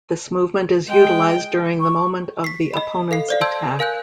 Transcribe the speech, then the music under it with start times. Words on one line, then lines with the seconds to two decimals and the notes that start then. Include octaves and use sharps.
This movement is utilized during the moment of the opponent's attack.
0.89 G#3 G5
1.80 C#6
2.44 B6 C7
2.74 D#5 B5
3.11 A4 F5 C7
3.29 C5 D5 F5
3.41 A5 C6 E6 G6 G#6
3.79 A#4 F5 G#5 F#6 G6